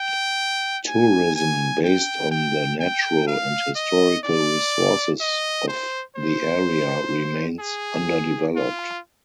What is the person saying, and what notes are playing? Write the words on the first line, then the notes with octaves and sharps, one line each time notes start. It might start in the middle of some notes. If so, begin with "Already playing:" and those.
Tourism based on the natural and historical resources of the area remains underdeveloped.
Already playing: G5
G#5
G#5
G5
G5
G5
F5
D#5
D5
D#5
C5
C5
G#4
F4